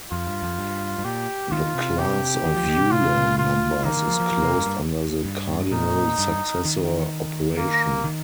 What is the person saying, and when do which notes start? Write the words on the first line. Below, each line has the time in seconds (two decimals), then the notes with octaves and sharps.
The class of Ulam numbers is closed under the cardinal successor operation.
0.11 F2 F4
0.27 G2
0.43 F2
0.59 G2
0.98 G2
1.04 A#2 G4
1.52 D#3 F4
1.75 C3
1.98 C3 G4
2.45 D#3
2.56 F3
2.68 D#3
2.80 C3
2.91 C3 F4
3.14 A#2
3.38 A#2 F4
3.84 D#3 A#3
3.97 D#3
4.08 F3
4.20 F3
4.32 F3
4.43 C3
4.55 G2
4.66 G2
5.25 G2
5.72 A#2 D#4
6.18 G2
6.65 D#3
7.58 A#3
8.04 D#3